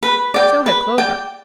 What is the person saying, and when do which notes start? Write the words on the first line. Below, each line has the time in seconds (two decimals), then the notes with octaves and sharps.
So had Clover.
0.03 B4
0.34 D5 G5
0.66 B4
0.98 D5 G5